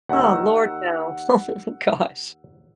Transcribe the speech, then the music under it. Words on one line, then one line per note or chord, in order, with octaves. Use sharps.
Oh lord no. Oh, gosh.
D#2 D#3 F#5 E6